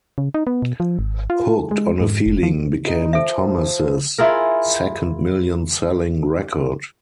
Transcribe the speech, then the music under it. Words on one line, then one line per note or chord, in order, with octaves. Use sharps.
"Hooked on a Feeling" became Thomas's second million-selling record.
C#3
D#4
B3
B2
F3
G#1
F4
G#3
G#2
F1
F3
D#4
F3 A4 E5
E4 F4 G#4 A#4